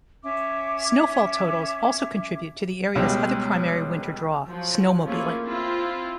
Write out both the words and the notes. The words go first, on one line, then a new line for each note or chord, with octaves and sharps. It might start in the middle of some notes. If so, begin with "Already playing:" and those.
Snowfall totals also contribute to the areas other primary winter draw, snowmobiling.
C#4 E5 D6
C#2 B2 G3
F3 F#3
A3 A#3 C#4 E4 F4 G#4
C4 E4 F4